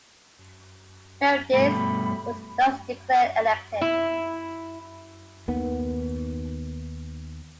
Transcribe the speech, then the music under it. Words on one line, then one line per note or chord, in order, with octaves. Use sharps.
Meredith was thus declared elected.
G2 B2 A3 B5
E4
D#2 D#3 B3